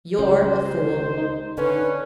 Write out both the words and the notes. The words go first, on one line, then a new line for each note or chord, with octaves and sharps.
You're a fool.'
C#2 C#4 G4 C5
D#4
D3 C#4 B4